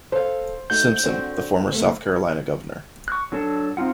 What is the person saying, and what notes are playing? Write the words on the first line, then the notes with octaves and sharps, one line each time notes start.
Simpson, the former South Carolina Governor.
A4 C5 F5
A3 D#4 F#4 G6
D3 C4 F#4
C3 A3 A#3
C#6 F#6
F#3 D4 A4 A5
C4 D#4 F4 F#5